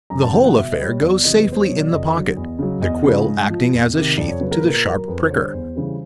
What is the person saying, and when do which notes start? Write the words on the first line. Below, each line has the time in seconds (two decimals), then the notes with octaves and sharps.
The whole affair goes safely in the pocket; the quill acting as a sheath to the sharp pricker.
0.10 F#2 A#5
0.22 A5
0.33 C#3 E3 G3 G5
0.44 F#5
0.56 B2 E5
0.71 D#5
0.78 G3
0.86 C#5
1.01 E2 D5
1.23 C3 E3 G3 D#5
1.39 B4
1.46 E2
1.52 C5
1.65 B2 F#3 C#5
1.78 D5
1.91 F2 D#5
2.14 D3 F#3
2.37 E2
2.59 C#3 F#3
2.82 E2 D#5
3.04 C#3 F3
3.27 G#2
3.49 F3
3.73 E2
3.95 C3 D#3
4.18 F2 D5
4.28 C#5
4.40 C#3 F#3 B4
4.51 A#4
4.60 A#2 B4
4.68 A#4
4.85 F#3
5.08 F2 B4
5.19 C5
5.30 D3 G3 C#5
5.42 C5
5.53 E2
5.75 C#3 E3 G3